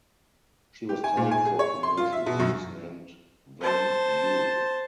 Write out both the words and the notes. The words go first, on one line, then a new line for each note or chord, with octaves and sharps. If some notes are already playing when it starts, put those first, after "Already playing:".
She was sold for commercial use named Wan You.
G4
G#5
A#2
G#5
G#4
C#5
C6
F4
E5
B2
F#2
C5 A5